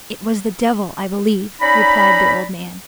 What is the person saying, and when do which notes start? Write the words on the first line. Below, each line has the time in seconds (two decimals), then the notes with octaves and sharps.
"It was the devil, I believe!" replied the old man.
1.61 C#4 D#4 D5 A#5 B5